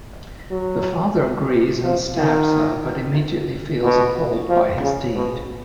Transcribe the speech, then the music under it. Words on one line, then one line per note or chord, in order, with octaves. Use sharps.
The father agrees and stabs her, but immediately feels appalled by his deed.
F#3
F3
D#3
B2
F3
C#3
B2